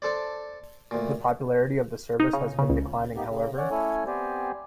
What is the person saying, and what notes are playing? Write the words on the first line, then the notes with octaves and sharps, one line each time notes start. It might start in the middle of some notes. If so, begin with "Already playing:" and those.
The popularity of the service has been declining, however.
D4 A4 C5 D5
D2 A#2
D#4
C#3
C#3
C#2
A#3 B3 D#4 G4
C#3
C#4 C#5 D5 F#5
A3 C#4 E4 A4 C#5 G#5
B3 C4 G4 C5 D5 G#5